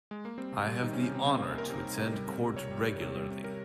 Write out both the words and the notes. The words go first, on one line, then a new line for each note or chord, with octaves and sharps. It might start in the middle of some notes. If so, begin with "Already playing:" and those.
I have the honour to attend court regularly.
G#3
A#3
G3 C4
C3
G3
D#3 D#4
C#4
C3
C#4
C3 C4
C3 C4
C3 A#3
C3 A#4
C3
G3
C3
G3
C3
G3
G3 C#5
G3
G3
C3
G3
C3
G3 A#4